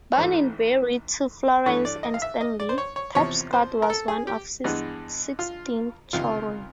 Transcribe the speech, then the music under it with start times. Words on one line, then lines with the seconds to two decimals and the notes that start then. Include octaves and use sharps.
Born in Barry, to Florence and Stanley, Tapscott was one of sixteen children.
0.13 C#5
0.17 A1 G#2 E3 A3 C5
1.66 G2 E3 A3 C#5
1.85 D5
2.03 D#5
2.14 F5
2.22 E5
2.41 D#5
2.60 D5
2.69 C5
2.78 C#5
2.96 C#5
3.15 E2 C3 F3 C#5
3.53 C5
3.82 A#4
3.90 A4
4.08 G#4
4.27 G4
4.64 G2 E3 G#3 B3
5.39 F4
6.13 C#2 C3 D#3 F4